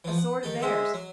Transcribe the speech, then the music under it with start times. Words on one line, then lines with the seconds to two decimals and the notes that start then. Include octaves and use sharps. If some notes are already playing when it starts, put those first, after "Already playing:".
"A sword of theirs."
0.04 E3 F3
0.18 F#5
0.43 D#3 G4 A4
0.62 G#3 D#4 C5 E5
0.94 F#3